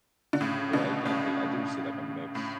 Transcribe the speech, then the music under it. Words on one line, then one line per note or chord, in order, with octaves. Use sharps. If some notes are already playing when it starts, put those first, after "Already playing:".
But, I I do I do see, like, a mix.
D3
A2 C#3
B2 D3
A2 C#3
A2